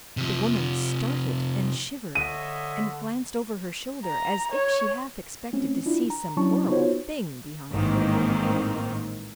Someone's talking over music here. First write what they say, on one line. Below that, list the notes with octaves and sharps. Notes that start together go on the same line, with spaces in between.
The woman started and shivered, and glanced over her shoulder as if she half expected to see some horrible thing behind her.
C3 F3
D3 C#5 D#5 E5 D#7
A#5
C#5
A3 C4 C#4
D4 E4 F4
A#5
F#3 C#4 D4 E4 A5 C#6
B3 D#4 F4 F#4 C5 C#5
A1 G#2 D#3 A#3 C4